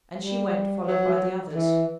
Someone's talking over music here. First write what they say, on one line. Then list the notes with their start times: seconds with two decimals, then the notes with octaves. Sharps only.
And she went, followed by the others.
0.20 G3
0.87 F#3
1.08 F#3
1.53 E3